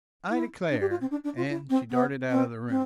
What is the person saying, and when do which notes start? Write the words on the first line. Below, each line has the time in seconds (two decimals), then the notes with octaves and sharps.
"I declare!" and she darted out of the room.
0.30 E4
0.71 D4
0.81 G4
0.90 F4
1.01 C4
1.11 D4
1.24 D4
1.37 F4
1.50 E4
1.70 C4
1.90 B3
2.29 C4
2.69 C4